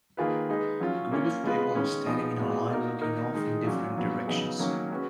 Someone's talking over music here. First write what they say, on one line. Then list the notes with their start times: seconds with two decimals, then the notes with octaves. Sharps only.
A group of people are standing in a line looking off in different directions.
0.17 D#3 A#3 F4 G#4 B4
0.49 G#3 D#4 G#4 B4
0.80 F#3 C#4 F4
1.12 A#3 C#4 F4
1.43 C#3 G#3 B3 F4 B4
1.75 D#3 G#3 C#4
2.06 F3 B3 D#4 G#4
2.38 A#2 G#3 B3 F#4
2.70 A#3 D#4 F#4 A#4
3.01 D#3 A#3 D#4 A#4
3.33 D#3 G#3 D#4
3.64 A#2 F#3 C#4
3.96 A#2 F#3 B3
4.27 C#3 F#3 B3 D#4 G#4
4.59 D#3 F#3 A#3 C#4
4.90 G#3 C#4 F#4 B4